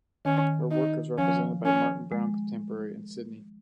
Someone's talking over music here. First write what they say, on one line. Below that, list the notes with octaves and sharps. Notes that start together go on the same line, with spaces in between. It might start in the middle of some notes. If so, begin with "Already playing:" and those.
Her work is represented by Martin Browne Contemporary in Sydney.
D#3 C#4
D#4
F3 C#4
C#4
G#3